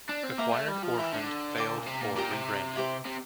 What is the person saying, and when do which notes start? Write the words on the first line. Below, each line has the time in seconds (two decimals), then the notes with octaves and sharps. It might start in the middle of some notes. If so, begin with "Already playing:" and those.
Acquired, orphaned, failed or rebranded.
0.09 D4
0.23 C4
0.38 A#3 A#4 E5 G5 A#5
0.53 A3
0.68 G3
0.83 F3
0.97 E3 A#4 E5 G5
1.13 D3
1.57 C5 G5 D6
1.78 A#2
1.86 C3
2.01 A#2
2.16 A#2 G4 D5 G5 A#5
2.31 C3
2.76 E4 G4 C5
3.05 C3